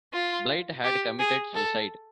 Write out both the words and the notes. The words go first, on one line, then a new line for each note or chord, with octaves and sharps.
Blight had committed suicide.
F4
G4
G#4
A4